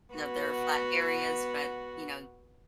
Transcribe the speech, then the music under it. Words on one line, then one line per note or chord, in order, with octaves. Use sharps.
you know, there are flat areas, but, you know
B3 F#4